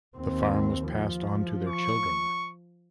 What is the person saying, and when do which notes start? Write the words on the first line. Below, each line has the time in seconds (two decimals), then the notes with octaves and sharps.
The farm was passed on to their children.
0.18 D#2 C4
0.91 F3
1.69 C#6